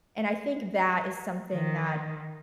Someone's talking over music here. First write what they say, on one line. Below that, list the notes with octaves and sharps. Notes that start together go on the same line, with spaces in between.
and I think that is something that
D#3